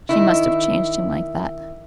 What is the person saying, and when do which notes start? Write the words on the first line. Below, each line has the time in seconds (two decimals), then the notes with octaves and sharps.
She must have changed him like that.
0.09 D#3 E4